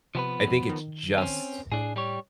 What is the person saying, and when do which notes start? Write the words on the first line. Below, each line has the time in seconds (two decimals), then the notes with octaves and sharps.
I think it's just
0.15 C3 F3 B3 B4
0.47 F2
0.69 D#3
1.18 C4 C#4
1.72 A2 D4 G#4
1.96 G3 G4 C#5